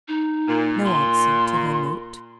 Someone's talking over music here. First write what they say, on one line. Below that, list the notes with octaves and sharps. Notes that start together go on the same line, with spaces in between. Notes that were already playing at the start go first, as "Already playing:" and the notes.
No answer to her note?
D#4
A#2
C6